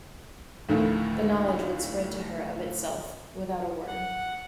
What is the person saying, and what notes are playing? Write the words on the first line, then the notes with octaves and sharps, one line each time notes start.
The knowledge would spread to her of itself, without a word.
D2 A2 D#3 F3 A3
F#5